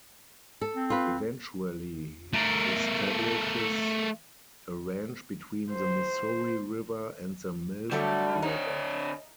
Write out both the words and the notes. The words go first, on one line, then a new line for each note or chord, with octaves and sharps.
Eventually he establishes a ranch between the Missouri River and the Milk River.
A4
C4
F4 B4
A3 A#4
C5
D3 F#3 G3 A3
D3 D#4 C#5